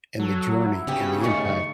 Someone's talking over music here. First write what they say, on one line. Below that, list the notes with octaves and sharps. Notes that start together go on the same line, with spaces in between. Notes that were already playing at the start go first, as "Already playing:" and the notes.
in the journey and the impact
F#3 A4
E4
C#3 B3 F#4 G4
G2 D#3 A3 C#6